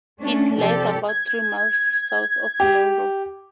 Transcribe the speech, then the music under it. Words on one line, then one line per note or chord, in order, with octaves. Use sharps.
It lies about three miles south of Monroe.
A3 C#4 D4
C3 F3 G4 A4 D5
G#6
G4